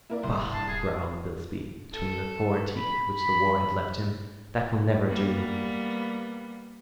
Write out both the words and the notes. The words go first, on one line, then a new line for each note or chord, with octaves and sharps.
"Bah!" growled Bilsby between the four teeth which the war had left him; "that will never do!"
A#3 E4 A#4 D5
C2 D3 C6
F#1
G2 A5 C7
D#1 G#4
A4
B5
B5
G3 A#3 B3